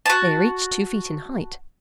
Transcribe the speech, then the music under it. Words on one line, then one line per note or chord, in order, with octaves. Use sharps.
They are each two feet in height.
F#4 A5